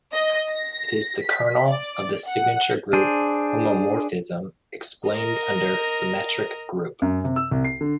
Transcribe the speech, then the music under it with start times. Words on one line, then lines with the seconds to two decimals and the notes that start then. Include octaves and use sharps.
It is the kernel of the signature group homomorphism explained under symmetric group.
0.13 D#5
0.52 A#6
1.23 B6
1.69 D5
2.27 F#5
2.93 D4 G#4 C5
5.10 A#4 D#5
7.02 F#2
7.24 C3
7.36 E6
7.51 C2
7.65 C7
7.81 D3